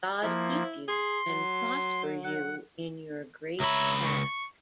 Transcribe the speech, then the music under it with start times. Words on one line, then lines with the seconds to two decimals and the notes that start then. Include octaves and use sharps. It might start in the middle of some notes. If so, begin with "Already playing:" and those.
God keep you and prosper you in your great task.
0.23 F3 A#3 E4
0.88 G#4 C6
1.28 F#3
2.24 F#5
3.60 C#2 C#5 E5 A#5 B5
4.04 C#6